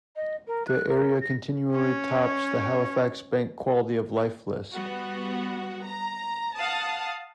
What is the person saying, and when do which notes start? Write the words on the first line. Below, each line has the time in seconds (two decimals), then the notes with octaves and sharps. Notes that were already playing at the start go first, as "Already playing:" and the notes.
The area continually tops the Halifax Bank Quality of Life list.
0.16 D#5
0.47 A#4
0.67 F#6
0.89 A#4
1.21 A#6
1.72 C#4 C#5
4.73 G3 B3 F#4
5.86 A#5
6.57 F5 F#5 A5 D#6